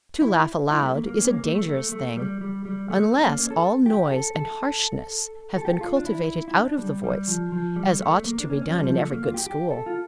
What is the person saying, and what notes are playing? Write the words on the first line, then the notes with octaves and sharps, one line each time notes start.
To laugh aloud is a dangerous thing, unless all noise and harshness have been cultivated out of the voice, as ought to be done in every good school.
E4
E4
A3
A#3
A#3
C#4
A#3
A3
A3
A3
A3
G3
G3
G3
A3
C#4
A#3
C#4
A4
G4
A4
A4
A4
G4
A4
F4
D4
E4
E4
D4
G3
G3
F3
F3
G3
A3
A#3
D4
C#4
C#4
F3
G3
F3
A3
A#3
F4
G4
G4
A4
F4